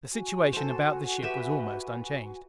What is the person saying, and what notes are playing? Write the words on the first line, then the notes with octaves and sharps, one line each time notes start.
The situation about the ship was almost unchanged.
F#4 G#5
A4 C5
G4 B4 E5